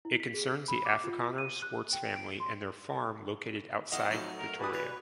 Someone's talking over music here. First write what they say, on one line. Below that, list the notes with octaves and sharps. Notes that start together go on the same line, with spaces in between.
It concerns the Afrikaner Swarts family and their farm located outside Pretoria.
E4
B6
G#4
B5
D6
F4
D#7
F#6
G5
D7
C6
F2 B3 E4 F4 D#5
F#3 A3 B3 D#4
A#4
E3 G3 F#4 B4 D#6
C#5